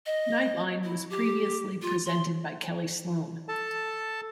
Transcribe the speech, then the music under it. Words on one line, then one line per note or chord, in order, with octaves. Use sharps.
"Nightline" was previously presented by Kellie Sloane.
D#5
E4
G4
F4
C6
A4 A5